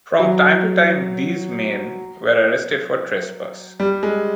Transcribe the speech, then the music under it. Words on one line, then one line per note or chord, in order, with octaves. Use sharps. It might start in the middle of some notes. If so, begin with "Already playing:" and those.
From time to time these men were arrested for trespass.
F#3
G3
G#3